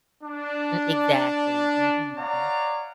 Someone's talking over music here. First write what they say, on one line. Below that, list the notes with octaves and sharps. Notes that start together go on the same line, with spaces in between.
M exactly, mhm.
D4
C#5 D5 F5 F#5 A#5